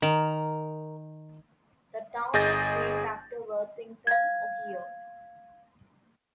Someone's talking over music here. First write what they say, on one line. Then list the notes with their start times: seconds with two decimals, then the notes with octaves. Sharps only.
The town was named after Worthington, Ohio.
0.02 D#3 A#4
2.33 G1 G#4 D#5 G6 A6 A#6
4.07 F5 G#6